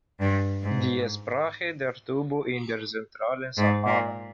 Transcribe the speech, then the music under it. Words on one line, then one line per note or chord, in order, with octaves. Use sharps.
"Die Sprache der Tubu in der zentralen Sahara".
G2
G#2
G#2
A#2